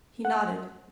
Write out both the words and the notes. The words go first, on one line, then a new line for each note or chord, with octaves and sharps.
He nodded.
F#5